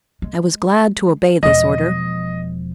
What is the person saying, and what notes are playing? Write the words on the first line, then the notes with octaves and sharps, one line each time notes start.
I was glad to obey this order.
G#3
E1 F3 D#5